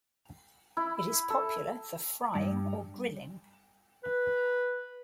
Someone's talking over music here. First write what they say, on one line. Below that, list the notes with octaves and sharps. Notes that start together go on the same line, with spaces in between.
It is popular for frying or grilling.
E4
A4
G2
B4